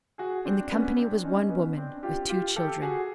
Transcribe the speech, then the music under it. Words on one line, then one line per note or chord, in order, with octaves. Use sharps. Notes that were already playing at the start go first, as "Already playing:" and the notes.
In the company was one woman, with two children.
F#4 G#4
C4 D4
B3 C#4
C4 D4
C#4 D#4
B3 C#4
C4 D4
F4 G4
F4 G4
G4 A4
F#4 G#4